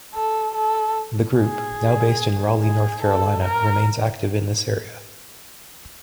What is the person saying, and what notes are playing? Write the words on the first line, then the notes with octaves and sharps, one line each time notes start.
The group, now based in Raleigh, North Carolina, remains active in this area.
A4
A4
G#4
G#4
A4
A#4